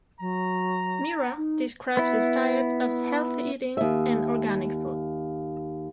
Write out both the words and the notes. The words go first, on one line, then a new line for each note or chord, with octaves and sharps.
Miura describes his diet as healthy eating and organic food.
F#3 A#5
D#4
B3 E4
D#2 E5